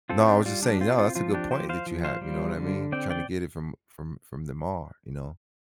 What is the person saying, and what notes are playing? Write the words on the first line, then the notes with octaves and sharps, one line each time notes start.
No, I was just saying No, that's a good point that you have, you know what I mean? Tryna get it from from from the mar, you know?
C4 F4 A4
D4 G4
G3 F4
D4
C4 F4
F4
F3 F4
D4 G4
F3 G4 C5
C5 F5
F3
C5 F5
G3
D3
C4 D5 G5
D5 G5